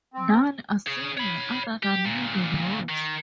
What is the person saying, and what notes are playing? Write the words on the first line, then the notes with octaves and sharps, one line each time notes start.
None are singing other than leading roles.
C4
G#4 C#5
C#5 B5
G4
D2 A#2
D#3